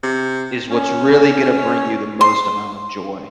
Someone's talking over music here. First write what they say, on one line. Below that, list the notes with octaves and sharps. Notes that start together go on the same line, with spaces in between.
is what's really gonna bring you the most amount of joy,
C3
C#4
C6